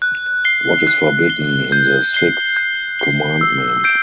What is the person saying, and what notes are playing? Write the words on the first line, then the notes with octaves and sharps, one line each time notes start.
What is forbidden in the sixth commandment?
F#6
C7 G7
F#6
C7 G7
G6
C7 G7
G6
C7 G7
E6
G6 D7